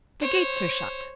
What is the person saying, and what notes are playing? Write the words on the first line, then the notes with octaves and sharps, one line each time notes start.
"The gates are shut."
C5 C#5